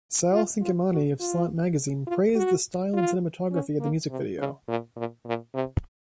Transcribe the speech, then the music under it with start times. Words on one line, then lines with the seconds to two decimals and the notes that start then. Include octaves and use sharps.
Sal Cinquemani of "Slant Magazine" praised the style and cinematography of the music video.
0.33 F4
0.61 F4
0.91 F#4
1.20 F4
2.07 F4
2.35 F#4
2.94 F4
3.52 C#4
3.80 A#3
4.09 C3
4.38 C#3
4.68 A#2
4.96 A#2
5.26 A#2
5.54 C3